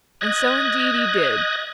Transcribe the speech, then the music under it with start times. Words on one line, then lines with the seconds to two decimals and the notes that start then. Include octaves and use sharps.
And so indeed he did.
0.21 D#5 F#6 G#6 A#6